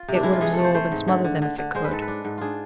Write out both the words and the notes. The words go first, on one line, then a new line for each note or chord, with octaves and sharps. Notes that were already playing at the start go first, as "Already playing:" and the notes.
It would absorb and smother them if it could.
Already playing: F4
C3
D4
G#3 E4
F4
E3 G#4
A4
A3
C5
A3 C5
G#2
D3
D3
D3
D3
G#3 C5
B4
G#2 A4
B4
D4
G#2
D4 F4 G#4